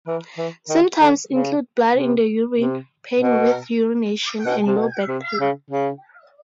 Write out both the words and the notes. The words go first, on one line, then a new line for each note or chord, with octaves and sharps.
Symptoms include blood in the urine, pain with urination, and low back pain.
E3
E3
D#3
D3
C#3
C3
C3
B2
B2
C3
B2
C3
C#3
C#3